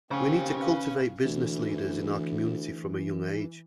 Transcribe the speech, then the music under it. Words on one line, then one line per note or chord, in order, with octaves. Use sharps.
We need to cultivate business leaders in our community from a young age.
D#2 C#3 C4 C5 F5 G#5
C#4 B4 F5
D2 E3